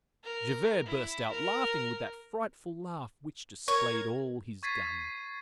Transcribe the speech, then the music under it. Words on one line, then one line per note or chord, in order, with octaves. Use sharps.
Javert burst out laughing with that frightful laugh which displayed all his gums.
A#4
E4
A#4
A#4 C#5 G#6
C#6 G#6 A6 B6 C7 D#7